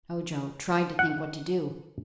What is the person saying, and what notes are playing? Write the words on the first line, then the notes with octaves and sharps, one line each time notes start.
Ojo tried to think what to do.
F#5